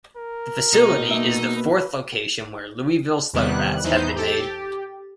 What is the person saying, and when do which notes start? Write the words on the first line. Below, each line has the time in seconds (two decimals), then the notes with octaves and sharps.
The facility is the fourth location where Louisville Slugger bats have been made.
0.17 A#4
0.74 B2 D#4
1.11 A#3 E5
1.56 B4
3.33 E2 C3 D#3 G3 B3 F#6
3.84 E2 E3 D#4 C5 G6
4.16 G4 A4 A6
4.36 G4